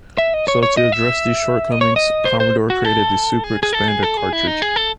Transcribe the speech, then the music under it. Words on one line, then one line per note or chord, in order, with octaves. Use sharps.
So to address these shortcomings Commodore created the "Super Expander" cartridge.
E5
D#5
C#5
C#5
D#5
E5
D#5
C#5
D#5
C5
C5
F#4
A4
G#4
G#4
A4
G#4
A4
G#4
E4
D#4
G#4
A4